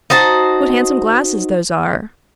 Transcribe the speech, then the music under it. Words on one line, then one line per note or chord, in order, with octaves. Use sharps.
What handsome glasses those are!
D#4 F#4 C5 A5